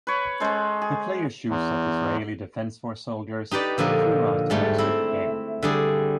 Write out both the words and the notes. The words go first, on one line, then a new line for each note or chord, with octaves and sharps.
The player shoots at Israeli Defense Force soldiers throughout most of the game.
B4 C#5
G#3 C#4 A4 C5
G#4
E2
D#4 G4 B4 D5
A#2 D3 F3 A#3 D#4
G#2 G3 A3
A3 C4 E4
D3 G3 G#4